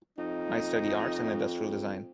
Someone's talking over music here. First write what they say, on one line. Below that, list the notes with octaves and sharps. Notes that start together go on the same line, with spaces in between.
I study arts and industrial design.
F2 D#4